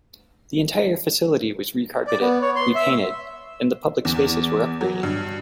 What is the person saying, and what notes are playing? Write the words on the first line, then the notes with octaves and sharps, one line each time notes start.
The entire facility was re-carpeted, repainted and the public spaces were upgraded.
D5
B3
C#5
C6
E5
E2
F#3
G2